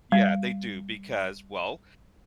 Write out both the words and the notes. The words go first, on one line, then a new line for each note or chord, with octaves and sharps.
Yeah, they do, because, well,
G3